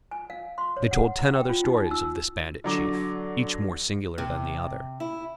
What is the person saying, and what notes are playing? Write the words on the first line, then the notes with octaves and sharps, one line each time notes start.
They told ten other stories of this bandit chief, each more singular than the other.
G#5
F5
C6
C#5
F#5
A#5
G5
F4
D#4
D#4
E6
D3 F#3 D6
C3
E4